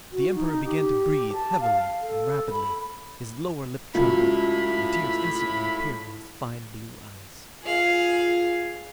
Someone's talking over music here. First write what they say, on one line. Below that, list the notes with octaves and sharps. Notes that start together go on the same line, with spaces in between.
The Emperor began to breathe heavily and rapidly, his lower lip trembled, and tears instantly appeared in his fine blue eyes.
F#4
D#4
G4
A5
F5
A4
B5
C#2 F#3 E4 F4 A4 B5
F4 G#4 F5